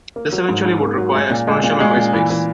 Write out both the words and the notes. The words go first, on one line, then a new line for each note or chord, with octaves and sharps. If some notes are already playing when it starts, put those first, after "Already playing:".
This eventually would require exponential memory space.
A#3
F#3
G#2
G#2
A#3
F#3
G#3
A#2
G#3
A#2
G#3
A#2
E3
E3